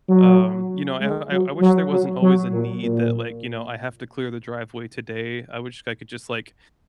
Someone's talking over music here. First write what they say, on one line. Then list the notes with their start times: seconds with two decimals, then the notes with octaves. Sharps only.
um, you know, I I I wish there wasn't always a need that, like, you know, I have to clear the driveway today. I wish I could just like,
0.10 F#3
1.01 G#3
1.31 F#3
1.62 F#3
1.92 F#3
2.22 F#3
2.52 A#2
2.83 A#2